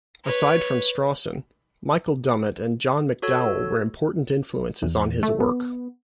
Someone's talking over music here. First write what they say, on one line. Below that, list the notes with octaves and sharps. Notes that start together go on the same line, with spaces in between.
Aside from Strawson, Michael Dummett and John McDowell were important influences on his work.
B4 C#5
F#4 A4 C#5 E6
E2
A3
B3